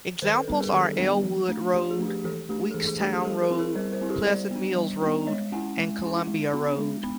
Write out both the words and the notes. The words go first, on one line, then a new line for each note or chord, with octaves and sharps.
Examples are Elwood Road, Weekstown Road, Pleasant Mills Road, and Columbia Road.
D#3 A#4 C5
A4 B4
G3 B3 D4 A4 B4
G#4 A#4
D#3 G4 A4
G3 B3 D4
F3
A3 D4
F3 G4
G#4
A3 D4
G4
E3 G4 A4
A3 D4 G4
A4
E3 G#4
G#4
A3 D4 G4 A4
G#4
G3 G4 A4
G#4 A#4
C4 E4
G#4 A#4
G3 A#4 C5
A#4 C5
C4 E4
G4 A4
G3 C5 D5
B3 D4
G3
B3 D4
G#3 C#5 D#5
C#4 E4 F#5 G#5
G#3
C#4 E4
G#3
B3 D4
G#3
B3 B5